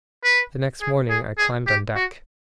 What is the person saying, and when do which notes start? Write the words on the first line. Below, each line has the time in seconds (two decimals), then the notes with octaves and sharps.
The next morning I climbed on deck.
0.24 B4
0.81 G#4
1.10 G#4
1.38 G#4
1.67 G4
1.96 F#4